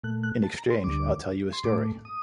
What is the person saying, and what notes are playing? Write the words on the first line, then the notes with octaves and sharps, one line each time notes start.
In exchange, I'll tell you a story.
A#2 A3 F#6
F#6
A5
A#5
C6
D2 D3 G3 D6
C6
A2 A3 D6
D#6